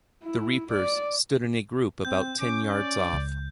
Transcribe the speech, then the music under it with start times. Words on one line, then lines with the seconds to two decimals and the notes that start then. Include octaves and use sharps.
The reapers stood in a group about ten yards off.
0.24 E4
0.73 D5
2.05 C4 G6
2.40 C#4 D6
2.71 D5
3.13 C#2